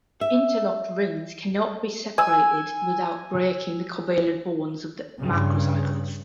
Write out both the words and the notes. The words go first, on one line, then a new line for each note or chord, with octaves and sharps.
The interlocked rings cannot be separated without breaking the covalent bonds of the macrocycles.
E5
G#5 E6
G2 C#3